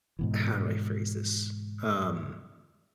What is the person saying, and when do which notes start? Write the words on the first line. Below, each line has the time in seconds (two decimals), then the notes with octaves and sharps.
How do I phrase this? Um,
0.19 G#2 B2 E3